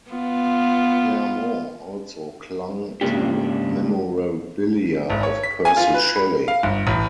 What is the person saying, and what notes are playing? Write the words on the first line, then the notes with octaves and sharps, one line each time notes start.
Clairmont also clung to memorabilia of Percy Shelley.
B3 F4
G#2 C#3 A#3 D4 G4
G#1
C#5
B6
G#5
F4
B4
B5
F5
G1
A1